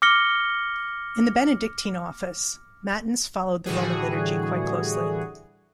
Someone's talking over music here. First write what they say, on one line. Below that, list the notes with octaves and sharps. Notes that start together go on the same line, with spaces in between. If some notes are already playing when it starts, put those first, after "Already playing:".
In the Benedictine office, matins followed the Roman liturgy quite closely.
D6 F6 A#6 C#7 G7
A2 D3 E3 G3 F#4 G#4